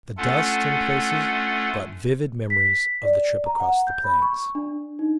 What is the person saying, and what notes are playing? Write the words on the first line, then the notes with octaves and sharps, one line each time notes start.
The dust, in places, brought vivid memories of the trip across the Plains.
A3 C#4 D4 F4 A4 F#5
B6
D5
A#5
F#5
G6
B5
C#6
D4
D#4